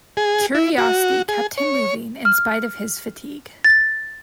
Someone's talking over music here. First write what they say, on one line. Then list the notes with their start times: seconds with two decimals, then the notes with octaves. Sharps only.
Curiosity kept him moving in spite of his fatigue.
0.17 G#4
0.55 E4
0.78 F#4
1.29 G#4
1.58 C#5
2.25 F6
3.64 A6